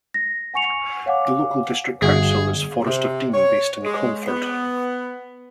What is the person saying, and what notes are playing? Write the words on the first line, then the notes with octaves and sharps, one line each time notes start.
The local district council is Forest of Dean, based in Coleford.
A#6
F#5 G#5 C#6 C#7 F7
C#5 F5 F#5 G#5 D6
G1 F#4 G#4
C3
C#5
G#3
B3